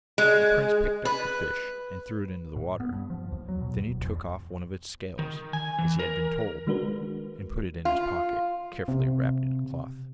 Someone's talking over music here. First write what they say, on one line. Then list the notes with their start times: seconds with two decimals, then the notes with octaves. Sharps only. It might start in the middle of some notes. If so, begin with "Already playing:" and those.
The prince picked up the fish and threw it into the water; then he took off one of its scales, as he had been told, and put it in his pocket, carefully wrapped in a cloth.
0.18 G#3
1.05 B4
2.56 A2
2.80 B3
2.93 G2
3.10 F3
3.32 D#2
3.48 F#3
3.61 B2
3.77 D#2
3.90 D1
4.03 E2
5.19 D#3
5.53 G#5
5.79 E3
5.99 A#4
6.67 D#3 G#3 D4 F#4 A#4 B4
7.85 F4
8.88 C3